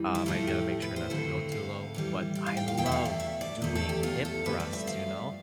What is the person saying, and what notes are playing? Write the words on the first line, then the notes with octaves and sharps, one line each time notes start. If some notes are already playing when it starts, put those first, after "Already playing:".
Um, I've gotta make sure not to go too low. But I love doing hip thrusts, you know,
Already playing: F2 E3 G3
E4
A2 F3 A3 F4
G4
B4
C5
F2 D3 A3
F5
A2 E3 G3
D5
F5
G5
F5
E2 B2 A3 G5
E5
F5
D5
E5
D5
E2 B2 A3
A4
G4
F4
A4
G2 F3 A3 B4
D5
E5
F5